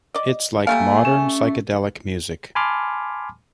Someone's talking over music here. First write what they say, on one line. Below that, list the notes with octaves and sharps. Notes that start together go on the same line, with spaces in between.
It's like modern psychedelic music.
D5 D#5
G3 A3 A#3 F5 G#5
C#4
G#5 A5 B5 C6 D6 F6